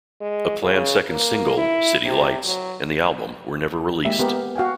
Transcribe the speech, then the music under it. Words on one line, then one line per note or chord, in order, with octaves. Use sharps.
A planned second single, "City Lights", and the album were never released.
G#3
C#3
A#3
E4
C3
F#3
G#3 A#3 G4 E5
B3 G4 A#4
F#4 F5 G5 G#5